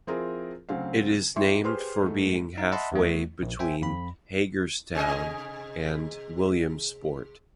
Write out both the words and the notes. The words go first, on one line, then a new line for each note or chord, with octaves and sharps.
It is named for being halfway between Hagerstown and Williamsport.
F3 C4 E4 F4 G#4 A#4
D2 C#3 F#3 C4 F5
E4 G4 E5 C6 C#6
G4 G#4 B4 C5 C6 F6
G#2 A3
D#4 F5
D#5 E5 F#5 A5 B5 C6
E2 E3 A3
A#1
C5 E5 G5 G#5
F2 B5
C3 G#4 D#5